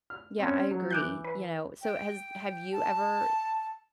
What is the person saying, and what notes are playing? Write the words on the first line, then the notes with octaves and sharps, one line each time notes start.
Yeah, I agree, you know, so has have you ever,
F6
C4 C#4
F#3
E3 D6 F#6 G6
B4
G5
A5